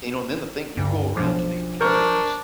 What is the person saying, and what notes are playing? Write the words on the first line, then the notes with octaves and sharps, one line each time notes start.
You know? And then the thing you go around to the employees
D2 G2
B1 F3 D4 D6
D4 A#4 C5 C#6 G6